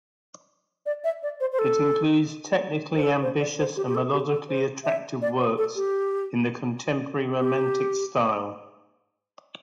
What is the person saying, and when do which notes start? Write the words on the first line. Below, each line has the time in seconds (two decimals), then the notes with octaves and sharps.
It includes technically ambitious and melodically attractive works in the contemporary Romantic style.
0.86 D5
1.04 E5
1.23 D5
1.40 C5
1.52 C5
1.59 A4
2.96 C5
3.03 A4
3.22 C5
3.40 D5
3.59 C5
3.77 G4
3.87 G4
3.95 A4
4.13 G4
4.31 A4
4.49 C5
4.84 E5
5.22 D5
5.39 C5
5.57 A4
5.76 G4
7.39 G4